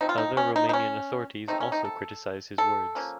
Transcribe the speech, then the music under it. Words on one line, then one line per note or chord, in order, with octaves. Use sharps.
Other Romanian authorities also criticized his words.
F3 C4 D#4
F4
D#4
C#4
D#4
D#4
C#4
D#3 A3 C4 D#4
C#4
D#4
A4
A4
F3 A#3 C#4